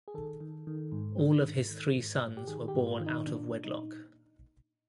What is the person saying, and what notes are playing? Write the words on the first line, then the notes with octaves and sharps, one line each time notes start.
All of his three sons were born out of wedlock.
G#4
D#3 A4
D#3
D#3
G#2
D#3
G#2
D#3
G#2
G#2
G4
D#3 G#4
G4
G#2
F4
D#3
D#4
A#2 D4
A#2
D#4
A#2